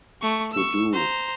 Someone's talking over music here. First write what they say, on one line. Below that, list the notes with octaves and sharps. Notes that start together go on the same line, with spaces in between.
To do.
A3 C#6
C#6 E6
C5 A#5